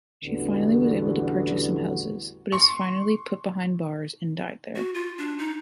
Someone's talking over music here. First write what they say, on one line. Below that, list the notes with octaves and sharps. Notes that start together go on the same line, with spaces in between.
She finally was able to purchase some houses, but is finally put behind bars and died there.
A1 E2 D3 G3 B3 F#4
C6 C#6
F#4
F4
D4
D#4